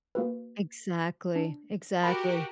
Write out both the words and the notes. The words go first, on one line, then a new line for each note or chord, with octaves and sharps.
Exactly, exactly.
A#3 F#4 B4
D4
F#4 G4 A#4 B5 A#6